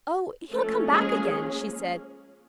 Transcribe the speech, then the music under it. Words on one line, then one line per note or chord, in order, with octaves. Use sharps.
"Oh, he'll come back again!" she said.
F3 A3 A#3 C#4 A4
G#3 G#4